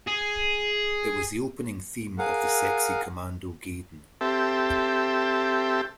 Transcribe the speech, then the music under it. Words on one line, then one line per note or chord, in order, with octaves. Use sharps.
It was the opening theme of the Sexy Commando Gaiden.
G#4
G#4 A#4 F5 F#5
C4 G4 A4 E5